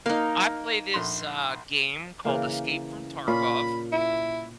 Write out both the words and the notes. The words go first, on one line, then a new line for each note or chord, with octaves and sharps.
I play this, uh, game called Escape from Tarkov.
A#3 D#4 F5
A#1 C6
C#3 E3 A#3
A#2 C#4 F4 B5
E4